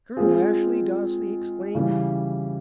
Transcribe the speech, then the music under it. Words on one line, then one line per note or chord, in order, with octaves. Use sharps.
"Colonel Ashley!" Darcy exclaimed.
G#3 C4 F4 G#4
C#3 E3 G3